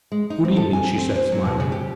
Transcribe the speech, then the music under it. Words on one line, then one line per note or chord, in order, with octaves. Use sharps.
"Good-evening," she said, smiling.
G#3
D#4
C4
A4
G#5
C4
C5
F#3
B2
C#3
G4